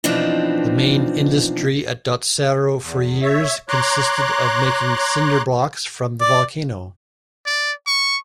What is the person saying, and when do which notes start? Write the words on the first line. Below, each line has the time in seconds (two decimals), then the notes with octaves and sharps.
The main industry at Dotsero for years consisted of making cinderblocks from the volcano.
0.04 B2 E3 F3 C4 D4 D#4
2.81 E2
3.21 C#5 E5
3.69 C#5 A#5 C6 D6 F#6
6.21 D5
7.46 D5
7.87 C#6